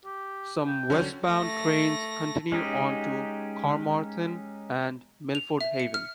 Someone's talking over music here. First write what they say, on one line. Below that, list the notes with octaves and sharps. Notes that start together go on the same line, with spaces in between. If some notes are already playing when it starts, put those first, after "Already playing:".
Some westbound trains continue on to Carmarthen and Milford Haven.
G4
G5
D3 F#3 C#4
A3 A#6
G#3 C#4 D#4 G4
F7
E5
C#7
F6